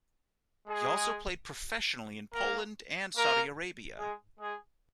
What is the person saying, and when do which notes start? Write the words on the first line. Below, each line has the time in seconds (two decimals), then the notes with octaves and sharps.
He also played professionally in Poland and Saudi Arabia.
0.68 G#3 G#4
2.34 A#3 A#4
3.16 A#3 A#4
3.98 G#3 G#4
4.40 G#3 G#4